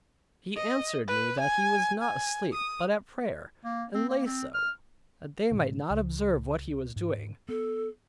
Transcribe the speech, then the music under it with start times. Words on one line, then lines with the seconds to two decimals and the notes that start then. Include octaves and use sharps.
He answered me that he was not asleep, but at prayer; and lay so, that they might not observe what he was doing.
0.57 D#5
1.08 B4
1.40 G#5
2.03 G#5
2.54 D#6
3.65 A#3
3.95 C4
4.09 A#3
4.26 C4
4.54 F6
5.52 G#2 B2 D#3
5.90 C#2
6.96 G#2
7.49 B3 A4